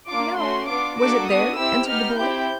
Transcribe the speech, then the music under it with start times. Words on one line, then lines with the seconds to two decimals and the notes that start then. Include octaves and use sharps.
'No; was it there?' answered the boy.
0.08 A#3 D4 F4 D6
0.38 A3 C#4 F#4 C6
0.68 B3 D4 F4 D6
0.98 A#3 D4 F#4 A4 D6
1.28 B3 D4 F#4 D#6
1.57 C4 E4 G4 E6
1.88 B3 D#4 G4 F6
2.17 C4 E4 G4 G6